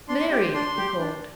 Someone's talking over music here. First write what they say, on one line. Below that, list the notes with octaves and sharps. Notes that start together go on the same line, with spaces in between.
"Mary!" he called.
D4 C6
C6
G4
C6
D4 C6
G4
D4